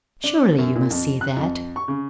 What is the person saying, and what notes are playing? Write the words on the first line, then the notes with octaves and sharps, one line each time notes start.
Surely you must see that.
D4
F#2
A#2
F2
F#6
F2
C#6
C#3